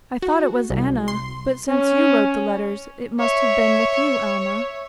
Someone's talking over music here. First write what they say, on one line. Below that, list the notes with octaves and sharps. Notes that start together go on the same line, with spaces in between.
I thought it was Anna, but since you wrote the letters, it must have been with you, Alma.
F#4
C2
C6
C#4
C#5 E5